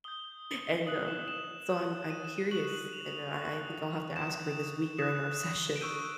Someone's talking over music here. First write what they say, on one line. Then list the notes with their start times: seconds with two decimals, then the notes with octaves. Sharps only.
And, um, so I'm I'm curious and I I think I'll have to ask her this week during our session.
0.04 D#6 G6 G7
0.87 D#6 F#6 F#7
1.08 E7
1.28 E7
1.69 D#6 G6
2.10 D#7
2.24 E7
2.38 D#7
2.51 C#6 F#6 F#7
2.73 F#7
2.93 F7
3.13 F7
3.34 C#6 F#6
4.16 D#6 G6 E7
4.99 D#6 F#6 E7
5.76 D7
5.81 C#6 E6 G6 D#7